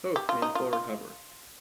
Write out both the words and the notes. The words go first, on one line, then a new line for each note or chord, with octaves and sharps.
Both made a full recovery.
G4
F4
D#4
F4
F4